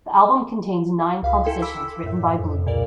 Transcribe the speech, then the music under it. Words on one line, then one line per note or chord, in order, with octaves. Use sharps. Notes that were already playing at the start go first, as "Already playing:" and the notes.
The album contains nine compositions written by Bloom.
C#2 F5 B5
E4 A4 G5 G#5 C6
B5 D6 E6 B6
F#2 A2
F2
C#2 A#2 A#4 D5